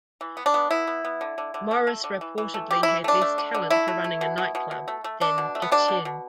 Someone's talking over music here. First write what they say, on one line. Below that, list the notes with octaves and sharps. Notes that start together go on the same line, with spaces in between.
Maurice reportedly had less talent for running a nightclub than Gatien.
E3
B3
D4
B3
B3 E4
B3
B3
D3
D3
D3
A3
A3
D3
E3
E3
A3
E3 G4
E3 E4
A3 D4
A3
D3
D3
A3 E4
A3
A3
B2
B2
B2
B2
A3
A3
A3 D4
B2
A3
B3
B2 D4
B2
B2